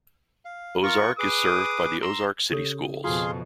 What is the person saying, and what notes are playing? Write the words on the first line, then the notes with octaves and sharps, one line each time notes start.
Ozark is served by the Ozark City Schools.
F5
F4 A#4 C#6
G#4 B4 D6 D#6
A#5 C6 E6
C#3 G4 A4 C#5
F2 B2 F4 F#4 G#4 F5 A#5 C6